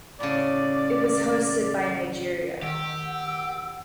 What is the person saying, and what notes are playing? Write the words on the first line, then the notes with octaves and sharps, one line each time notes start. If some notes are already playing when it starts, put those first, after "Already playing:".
It was hosted by Nigeria.
A2 C#3 D5
D#3 G4 F#5 E6